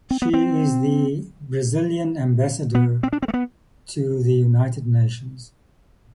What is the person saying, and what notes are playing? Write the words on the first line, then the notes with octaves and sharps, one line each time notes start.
She is the Brazilian ambassador to the United Nations.
C4
B3
C4
B3
C4
D4
C4
A3
B3